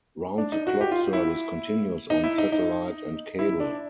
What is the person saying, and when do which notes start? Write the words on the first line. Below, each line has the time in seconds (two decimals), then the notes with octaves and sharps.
Round-the-clock service continues on satellite and cable.
0.38 D4
0.52 D#4
0.67 F#4
0.81 G4
0.91 F4
1.13 E4
2.10 D#4
2.24 E4
2.38 D#4
2.52 D#4
3.39 E4
3.60 D4